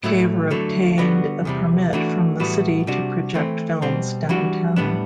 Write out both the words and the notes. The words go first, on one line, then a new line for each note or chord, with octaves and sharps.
Caver obtained a permit from the city to project films downtown.
A2 F#3 A3 E4
D3 F#3 A3 E4
D3 G3 B3 F#4
E2 C3 G3
E3 A3 D4 F#4
A2 E3 G3 B3 F#4
C3 G3 D4 F#4
E3 A3 C4
B2 G3 C4
E3 G3 D4 F#4
A2 G3 B3 D4